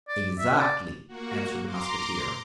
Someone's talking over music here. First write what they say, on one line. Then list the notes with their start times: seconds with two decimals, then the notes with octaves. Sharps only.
"Exactly," answered the musketeer.
0.08 D5
0.39 E5
0.60 D5
1.07 A#3 F#4
1.65 A#5 C6 D6